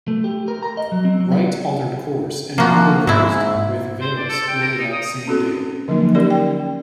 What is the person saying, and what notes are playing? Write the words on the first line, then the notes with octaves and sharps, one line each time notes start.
"Wright" altered course and rendezvoused with "Velos" later that same day.
A3
G4
A#4
A#5
D#5
F#3
C4
F#3
B3
F3 A#3 F#4
G#2 C4 E4
C5
D5
A4
G5
A#4
D#4
D#6
C4 C#4 F#4 A4
D3 F3 F#3 A#3 D#4
C#4 G4 A#4 D5
G5